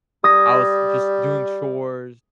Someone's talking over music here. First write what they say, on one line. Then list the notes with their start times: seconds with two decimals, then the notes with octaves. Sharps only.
I was just doing chores
0.24 G3 D#6 G#6 A#6